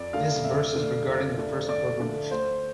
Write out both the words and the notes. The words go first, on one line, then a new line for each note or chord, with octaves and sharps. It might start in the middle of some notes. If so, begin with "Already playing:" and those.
This verse is regarding The first pilgrimage.
Already playing: F2 D5
D3 A3 D4 F5
F2 E5
D3 A3 D4
F2
D3 A3 D4
F2 D5
D3 A3 D4
D2 C5